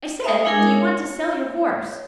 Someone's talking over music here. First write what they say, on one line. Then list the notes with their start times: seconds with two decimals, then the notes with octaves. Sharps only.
"I said, do you want to sell your horse?"
0.24 E5 F5 D#6
0.45 G#3 D4 E4 G#4 A#4
0.67 C#5